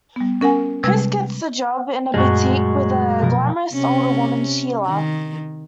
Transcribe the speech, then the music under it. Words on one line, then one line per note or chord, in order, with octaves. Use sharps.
Chris gets a job in a boutique with a glamorous older woman, Sheila.
G3 B3
C#4 A#4 F#5 G#5
C3 G3 G#3 B4 G5 G#6
F#2 A#2 G#3 A3 F#4
B2 F3 A#4
C3 C#4
D#3